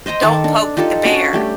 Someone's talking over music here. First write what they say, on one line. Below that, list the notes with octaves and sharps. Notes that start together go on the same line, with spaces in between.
don't poke the bear
C5 D#5 G5 A#5
D#3 A4 A5 D6
D4
D#4 F4 G4 A4
C#4 D4 F#4 D5
G3 A3 G4